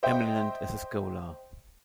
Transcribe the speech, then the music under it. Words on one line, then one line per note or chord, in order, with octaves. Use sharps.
Eminent as a Scholar.
C5 D#5 E5 G5